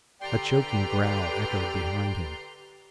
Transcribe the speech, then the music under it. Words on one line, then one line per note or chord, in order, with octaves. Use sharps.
A choking growl echoed behind him.
D3 G4 B4 D5 G5 A#5 C6